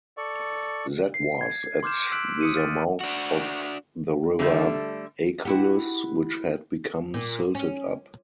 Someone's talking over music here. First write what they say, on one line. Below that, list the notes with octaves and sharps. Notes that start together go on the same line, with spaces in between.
That was at the mouth of the river Achelous, which had become silted up.
A4 D5 C#6
C7
G#6
C6 D6 F6 G6 E7
E6 F#6 B6 D7 F#7
D#6 C#7 D#7
F6 A6
D4 F#4
D3 G3 A3
E4 F#4 G4
A#2
C#4